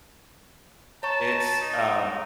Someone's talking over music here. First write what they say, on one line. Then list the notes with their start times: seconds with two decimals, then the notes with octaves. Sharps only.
it's, um
1.03 C#5 A5 A#5 C#6
1.61 D#4